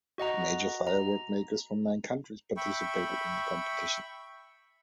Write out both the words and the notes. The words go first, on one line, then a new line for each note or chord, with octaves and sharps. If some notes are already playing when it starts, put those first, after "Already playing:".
Major firework makers from nine countries participated in the competition.
F#4 D#5 F#5 A#5
A#5
E5 G5 B5 C#6